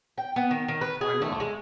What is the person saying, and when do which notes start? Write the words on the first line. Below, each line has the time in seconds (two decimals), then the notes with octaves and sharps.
Why not?
0.18 G5
0.36 B3
0.51 D#3
0.68 D#3
0.81 B4
1.01 G#4
1.22 A3
1.40 G#3